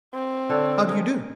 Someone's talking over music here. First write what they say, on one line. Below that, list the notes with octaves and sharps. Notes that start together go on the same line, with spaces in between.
"How do you do?"
C4
D3 A4 C#5
G#4 A#4 D#5